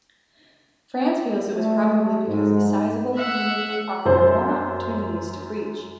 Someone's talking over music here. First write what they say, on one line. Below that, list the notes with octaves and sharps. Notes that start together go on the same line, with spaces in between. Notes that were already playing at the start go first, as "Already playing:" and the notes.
France feels it was probably because the sizeable community offered more opportunities to preach.
A3
G#2
E5 F#5
F#2 C5